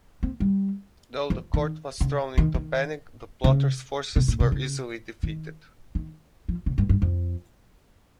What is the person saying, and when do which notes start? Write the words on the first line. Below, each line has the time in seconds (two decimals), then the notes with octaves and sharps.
Though the court was thrown into panic, the plotters' forces were easily defeated.
0.23 C4
0.40 G3
1.30 F3
1.54 D#3
2.01 C#3
2.38 D#3
2.54 D#3
3.44 C#3
4.16 C3
4.28 A#2
4.40 C3
4.52 C#3
5.23 D#3
5.95 D#3
6.48 F3
6.66 C#3
6.78 G2
6.89 G2
7.02 F2